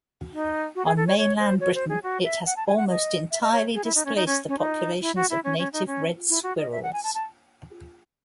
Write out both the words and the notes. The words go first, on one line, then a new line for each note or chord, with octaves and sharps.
On mainland Britain, it has almost entirely displaced the populations of native red squirrels.
D#4
F#4
G#4
A4
C#5
C#5
C5
C#5
C5
G#4
F#4
E5
F#5
A5
G#5
F#5
D#5
E5
D#5
C#5
G#4
E4
D#4
C#4
D#4
C#4
C#4
D#4
E4
F#4
E4
C#4
C#4
D#4
C#4
E4
F#4
D#5
E5
F#5
G#5
A5
A5